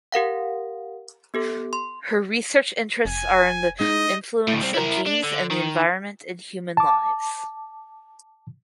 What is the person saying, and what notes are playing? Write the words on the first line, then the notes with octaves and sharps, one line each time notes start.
Her research interests are in the influence of genes and environment in human lives.
G4 A#4 F5 F#5
B3 G4 A4
C6
F1 G#5
G#3 D#4 D#5
D2 A2
G3 C4
E4 A#4
D4
D3
D#3
A5 D6